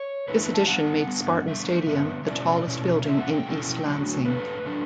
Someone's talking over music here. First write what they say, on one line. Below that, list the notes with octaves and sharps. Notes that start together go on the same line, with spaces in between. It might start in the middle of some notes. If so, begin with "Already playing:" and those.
This addition made Spartan Stadium the tallest building in East Lansing.
Already playing: C#5
E2 D3 A3 E4 B4
B4
A5
D3 G3 B3 F#5
D3 G3 B3
D3 G3 B3 E5
D3 G3 B3
B2 A3 C#4 E4 D5
B2 A3 C#4 E4
B2 A3 C#4 E4 E5
F#5
G5
B2 A3 C#4 E4
D3 F#3 A3 D4
D3 F#3 A3 D4 B4
D3 F#3 A3 D4